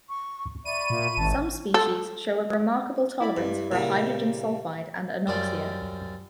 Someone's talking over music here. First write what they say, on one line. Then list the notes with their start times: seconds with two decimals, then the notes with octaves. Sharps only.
Some species show a remarkable tolerance for hydrogen sulfide and anoxia.
0.09 C#6
0.65 D5 E5 B5 C#6 D#7
0.90 A#2
1.17 G#1 A5
1.74 A4
3.21 E4 D5 B5
3.37 G2
3.72 A#2 C#3 G3
5.27 F#2 F3 G3 D5